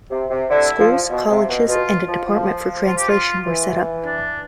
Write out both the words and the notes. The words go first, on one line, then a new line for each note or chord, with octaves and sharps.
Schools, colleges and a Department for Translation were set up.
C3
C3
D3 E4
F3
B2
C3
B2
B2 F4
F3
F3
F4
G4
F4
E3
D4